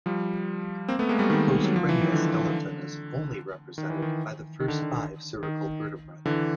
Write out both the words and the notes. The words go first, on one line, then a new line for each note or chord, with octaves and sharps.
The postcranial skeleton is only represented by the first five cervical vertebrae.
F3 G3
A#3 C4
A3 B3
G#3 A#3
G3 A3
D#3
F#3
F3
E3
D#3
D3
D#3
E3
D#3
D#3
D3
D3
D#3
D3 E3